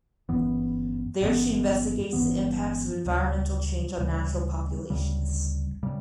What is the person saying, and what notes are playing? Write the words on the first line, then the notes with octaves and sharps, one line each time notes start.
There she investigates the impacts of environmental change on natural populations.
G1 F#2 E3 B3
G1 F#2 E3 B3
G1 F#2 E3 B3
D2 C#3 G3
D2 C#3 G3
D2 C#3 G3
C#3 G3